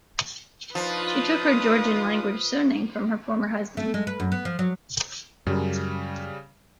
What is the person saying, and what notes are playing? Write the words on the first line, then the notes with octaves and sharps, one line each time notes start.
She took her Georgian-language surname from her former husband.
F3 D4 D#4 F4 B4 D#6
A3
G#3
B4
F#2
B3
F3
F#3
F#2 C#3 G3